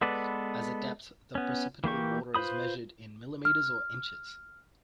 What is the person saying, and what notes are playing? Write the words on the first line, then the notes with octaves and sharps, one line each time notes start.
As a depth, the precipitable water is measured in millimeters or inches.
G#3 B3 A4 B4 D5
B3 C#4
E3 A#3 G4 C#6
F4 B4 C5 B5 D#6
F6